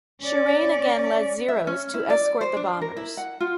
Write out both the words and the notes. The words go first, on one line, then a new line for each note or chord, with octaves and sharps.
Shirane again led Zeros to escort the bombers.
C#4 D5
E5
C#4
E4
D5
C5
D4
A#4
E4
F#5
F4